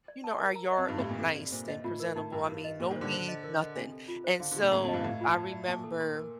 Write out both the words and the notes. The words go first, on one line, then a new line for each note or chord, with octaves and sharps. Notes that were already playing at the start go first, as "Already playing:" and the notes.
you know, our yard looked nice and presentable. I mean, no weeds, nothing, and so, I remember,
D5
A5
A#4
A#5
D#5
F2
G2 D#4
A2
A#2 G4
C3 A4
D5
A#2 C5
D#5
A2 F4
A#4
A2 D#4
G2 A#4
G2 A#4
D#5
A#2 G4
D#3
C5
D3
C5
D#5
A#4
D#5
C3 D4
A4
F4
C5
D3 F5
D3
G4
A#2
A2 A#5
F2
G2 D#5
A2 F5
F4
A5
D5
A#2 A5
A4
C6
A#4